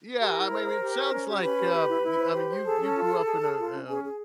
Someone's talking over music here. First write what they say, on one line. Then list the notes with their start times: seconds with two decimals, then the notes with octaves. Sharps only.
yeah, I m I mean, it sounds like, uh I mean, you you grew up in a, uh,
0.20 G4 A#4 A#5
0.35 E4
0.51 C5
0.65 C5
0.81 G4
0.97 C5
1.12 C#4
1.27 G4
1.42 C#4 B4 B5
1.58 G4
1.73 G4
1.89 E4
2.03 E4
2.19 C5
2.34 G4
2.50 C5
2.64 G#4 A4 A5
2.80 C#4
2.96 F4
3.11 G#4
3.26 G#4
3.41 G#4
3.57 F4
3.73 C#4
3.87 C#4 G#4 G#5
4.03 G#4